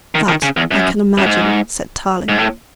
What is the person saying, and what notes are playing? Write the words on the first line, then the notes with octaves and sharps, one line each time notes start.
"That I can imagine," said Tarling.
D#3
D#3
C#3
E2
F#2
F#2
G#2
G#2
A2